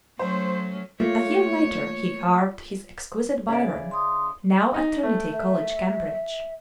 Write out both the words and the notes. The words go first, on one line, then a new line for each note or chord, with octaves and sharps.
A year later, he carved his exquisite Byron, now at Trinity College, Cambridge.
F#3 A3 C#4 C5
A3 A#3 F4 C#5
C#3 E4 D5
C6 D#6
D#4
A3
E5